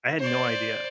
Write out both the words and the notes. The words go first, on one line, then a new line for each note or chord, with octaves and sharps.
I had no idea.
C5 D5